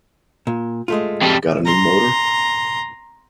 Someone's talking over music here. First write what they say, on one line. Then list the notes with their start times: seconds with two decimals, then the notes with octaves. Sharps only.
Gotta New Motor?
0.47 A#2
0.88 G#3 A3 F4
1.22 F2 G3
1.65 A#5 C6